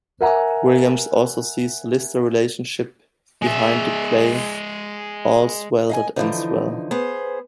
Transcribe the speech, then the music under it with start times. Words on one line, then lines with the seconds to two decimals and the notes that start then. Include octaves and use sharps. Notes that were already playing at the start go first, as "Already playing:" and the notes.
Williams also sees the Lister relationship behind the play "All's Well That Ends Well".
0.21 A#4 E5 F#5 G#5 A#5
3.42 G#3 E5
5.90 D#5 F5 G#5
6.16 D3 E3 F3 D#4
6.91 B3 G#4 C5